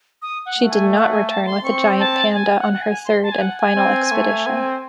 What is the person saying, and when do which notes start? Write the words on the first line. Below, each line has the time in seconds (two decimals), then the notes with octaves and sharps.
She did not return with a giant panda on her third and final expedition.
0.22 D#6
0.46 F#5
0.58 A3
0.70 G#5
0.93 F#5
1.11 G#5
1.29 A5
1.46 C6
1.64 C4 C#6
2.00 A5
2.34 G#5
2.58 F#5
2.73 F#5
2.82 G#5
3.05 C6
3.23 A5
3.32 G#5
3.41 F#5
3.58 G#5
3.77 C4
4.12 A3
4.47 C4